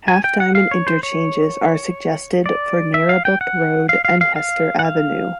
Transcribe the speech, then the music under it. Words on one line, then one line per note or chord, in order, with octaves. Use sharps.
Half-diamond interchanges are suggested for Neerabup Road and Hester Avenue.
G#5
G5
F#5
F5
C#5
C5
C#5
D5
E5
F5
G5
F#5
F5
F5
F5
F5
F#5
F5